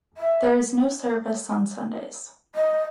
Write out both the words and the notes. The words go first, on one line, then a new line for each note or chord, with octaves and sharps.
There is no service on Sundays.
E5
D#5